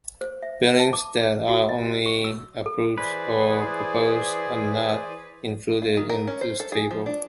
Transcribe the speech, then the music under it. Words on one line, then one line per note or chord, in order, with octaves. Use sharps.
Buildings that are only approved or proposed are not included in this table.
C5
E5
A5
D6
F#4
D#5
C#6
E6
A4
E3 G#4 B4 C5 D5
F4
D#3
A#4
C#4
C5
A4
G#4
F3
D4